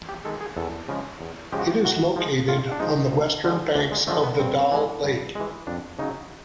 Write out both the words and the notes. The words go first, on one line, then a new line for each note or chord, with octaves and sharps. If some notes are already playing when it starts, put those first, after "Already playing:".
It is located on the western banks of the Dal Lake.
G4
D#3 G#3 A4
G#4
E2 A4
C#3 F3 G#3
E2
C#3 F3 G#3 G4
F#4
G4
A2 F#4
F3 G#3
A2 F4
D4
F3 G#3 D#4
D2
D3 F3 G#3
D2 D4
G#3
D3 F3 G#3 A3
B3
G2 C4
E3 G#3
G2
E3 G#3
F2 D4
C#3 F#3 D#4